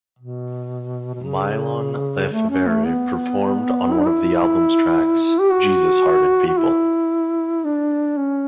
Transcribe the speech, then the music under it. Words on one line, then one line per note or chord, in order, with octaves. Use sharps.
Mylon LeFevre performed on one of the album's tracks, Jesus Hearted People.
B2
B2
C#3
A3
C#4
A3
B3
E4
D4
E4
G4
F#4
F#4
E4
D4
C#4